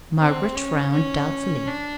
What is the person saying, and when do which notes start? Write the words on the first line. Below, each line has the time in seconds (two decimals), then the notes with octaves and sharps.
Margaret frowned doubtfully.
0.18 C4
0.55 C#4
0.92 C#4
1.67 D4